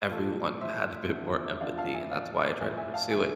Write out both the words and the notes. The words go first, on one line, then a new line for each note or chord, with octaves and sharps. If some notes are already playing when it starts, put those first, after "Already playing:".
everyone had a bit more empathy, and that's why I try to pursue it.
A2 F3 F4 A4
A2 F3 C5 E5
E2 D3 F3
E2 D3 F3 D5 F5
F5 A5
E5 G#5
A2 F3 D5 F5
A2 F3 E5 G#5
E5 G#5
F5 A5
D3 F3 E5 G#5